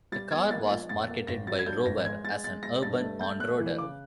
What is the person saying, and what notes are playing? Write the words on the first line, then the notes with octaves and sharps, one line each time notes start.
The car was marketed by Rover as an 'urban on-roader'.
G3 A6
B3 G#6
A#3 A6
F3
F2 A6
A#3
G#1 A#6
F#3 A6
G#6
G2 G6
G#1 A#6
G#3 G#6
G#3 A6
G#3 A6
G#3 A#6
G2 A6
A3
A3 G6
A3 F#6
E3
C#3 D6